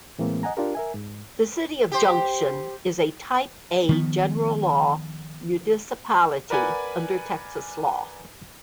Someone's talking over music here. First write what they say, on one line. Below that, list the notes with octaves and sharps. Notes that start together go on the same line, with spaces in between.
The city of Junction is a "Type A" General Law municipality under Texas law.
A2 E3 G#3 A#3 C4
D#5 F#5 G#5 A#5
D4 F4 G4 A#4
A#4 E5 G#5
G#2
G4 C5
D#3 F3 B3
A#4 B4 D5 F#5 G#5 B5